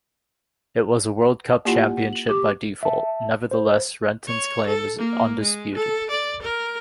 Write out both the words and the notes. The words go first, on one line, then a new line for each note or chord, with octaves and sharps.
It was a World Cup Championship by default - nevertheless Renton's claim is undisputed.
A#3 E4 F4 G4 D5 F#5 G#5
F#5
F#7
G4 C#6 D6
E5 A5
C5
C#5
A4
A#3
G#3
A4
D5
A#4